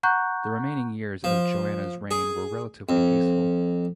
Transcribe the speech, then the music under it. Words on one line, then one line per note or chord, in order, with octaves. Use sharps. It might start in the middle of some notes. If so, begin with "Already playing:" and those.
The remaining years of Joanna's reign were relatively peaceful.
F#5 A#5 C#6 F#6 G6
F3
G#4
F2